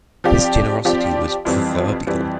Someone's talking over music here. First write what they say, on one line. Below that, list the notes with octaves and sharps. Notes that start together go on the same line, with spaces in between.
His generosity was proverbial.
F3 C4 G4 D5
F3 C4 G4 D5
F2 E3 G3 C4
F2 E3 G3 C4